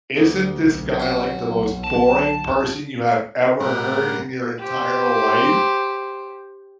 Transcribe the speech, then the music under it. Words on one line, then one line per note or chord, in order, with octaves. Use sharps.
"Isn't this guy like the most boring person you have ever heard in your entire life?
D2
B1
C#4 F#4
A5
A2 G3 A#4 F#5
G4 C5